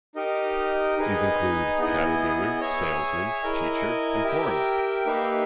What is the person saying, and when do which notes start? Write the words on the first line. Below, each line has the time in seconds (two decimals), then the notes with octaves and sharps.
These include: cattle-dealer, salesman, teacher, and coroner.
0.16 D#4 G4 A#4 D#5
0.98 D#4 G#4 B4 D#5
1.79 B3 E4 G#4 D#5
2.61 G#4 C#5 E5 G#5
3.42 E4 A#4 D#5 G#5
4.24 G4 A#4 E5 G5
5.06 A#3 D#4 G4 B4 E5